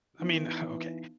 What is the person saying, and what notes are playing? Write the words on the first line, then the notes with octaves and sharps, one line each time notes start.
I mean, okay,
E3 B3 D#4